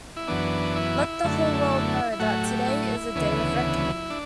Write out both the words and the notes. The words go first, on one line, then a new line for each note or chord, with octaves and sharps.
Let the whole world know that today is a day of reckoning.
E4
F#2 E3 B3 D4
E4
F#2 D3 A3
E4
A2 F#3 A3 F#4
G4
E4
D2 C#3 E3 B3
D4